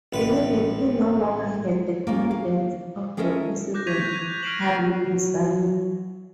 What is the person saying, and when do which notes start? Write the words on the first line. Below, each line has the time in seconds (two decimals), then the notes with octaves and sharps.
Believing he no longer had the confidence of the president, Habib resigned.
0.13 A1 B4
2.07 A#3 C#4 F4
2.31 F5
3.17 G#3 C#4 A4 A#4 E5
3.74 D6 F#6 G6 A#6
3.87 C#6 G6 G#6 B6 D#7 F7
4.01 F#6 G6
4.16 G#6
4.43 F6 A#6 C7 D7 E7 F#7
4.59 C#6 F#6 C7 D7
4.89 F#3